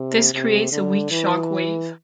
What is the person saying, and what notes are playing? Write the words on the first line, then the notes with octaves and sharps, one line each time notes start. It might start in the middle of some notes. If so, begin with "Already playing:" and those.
This creates a weak shock wave.
Already playing: C3
C3
D3
E3